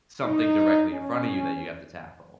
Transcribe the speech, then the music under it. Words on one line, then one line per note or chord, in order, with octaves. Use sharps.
something directly in front of you that you have to tackle.
D#4
C#4